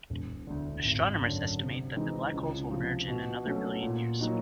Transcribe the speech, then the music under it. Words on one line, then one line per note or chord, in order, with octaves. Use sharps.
Astronomers estimate that the black holes will merge in another billion years.
E1
D2 D3
G#1
F#2 D3
C3
E3 G#3 C4 D#4
C#2
C3 F3
B2
F#3 A3 C#4
A#2
F#3 A#3 D#4 F#4